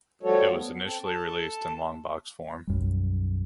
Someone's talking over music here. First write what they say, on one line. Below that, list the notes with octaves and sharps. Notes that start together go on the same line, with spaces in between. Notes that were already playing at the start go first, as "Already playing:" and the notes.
It was initially released in longbox form.
F3 G3 A3 F#4 A4 C#5
B3
C4 A4
A4 A5
B1 F#2 G3